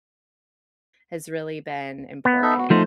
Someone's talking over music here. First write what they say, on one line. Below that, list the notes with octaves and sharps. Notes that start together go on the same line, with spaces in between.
has really been important.
B3
D#4 A4 E5
F#4
F3 A3 D#4 C5